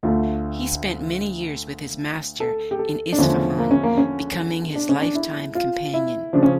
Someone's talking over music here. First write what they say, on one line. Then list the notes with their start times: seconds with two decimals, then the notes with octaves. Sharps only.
He spent many years with his master in Isfahan, becoming his lifetime companion.
0.03 D2 D3 A3 F4
2.40 A4
2.71 G4
2.79 A4
3.12 D4
3.18 E2 D3 F3 A3 C#4
3.58 A#3
3.71 C#4
3.83 A#3
3.98 C#4
4.76 D4
4.89 C#4
5.02 D4
5.15 E4
5.55 F4
5.94 E4
6.33 C#3 F3 D4
6.43 C#4